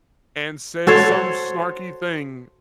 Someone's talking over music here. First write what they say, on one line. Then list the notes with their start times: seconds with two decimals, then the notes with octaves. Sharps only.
And said some snarky thing,
0.87 F#4 A4 C5 C#5